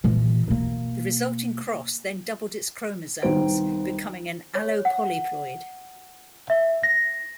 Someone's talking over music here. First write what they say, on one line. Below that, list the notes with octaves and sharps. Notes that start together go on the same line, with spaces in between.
The resulting cross then doubled its chromosomes, becoming an allopolyploid.
A#2 E3
B2 A#3
C2 D#3 B3 C5 D7
C#5
F#5
E5
A#6